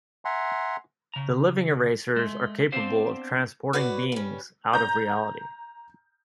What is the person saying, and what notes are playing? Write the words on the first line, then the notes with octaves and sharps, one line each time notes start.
The Living Erasers are capable of transporting beings out of reality.
E5 F#5 G#5 A#5 C6
C#3 A#5
G#3 A3
B3 C4 D4 G4 C5 F5
F#4 B4 C#5 D5
G3 C#4
A#5 G6